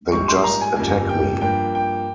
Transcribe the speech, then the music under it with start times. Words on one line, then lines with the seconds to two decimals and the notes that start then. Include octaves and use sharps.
They just attack me.
0.12 A#1 G#2 G3 C#6
0.28 C6
0.44 A#5
0.61 G#5
0.76 G1 F2 C#3 G3 A#3 G#5
1.09 G5
1.41 G2 F3 A#3 G5
1.75 G5